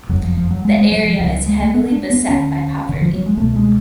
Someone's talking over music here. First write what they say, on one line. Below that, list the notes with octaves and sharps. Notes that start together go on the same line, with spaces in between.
The area is heavily beset by poverty.
F#1 F2 C#3 F#3
F3
F3
F#3
G#3
G#3
F#3
F3
C#2 C#3 F3
F#3
G#3
A3
B3
D4
B3
D2 D3 C#4
D3
F3
F#3
G#3
C#2 B2 A3
G#3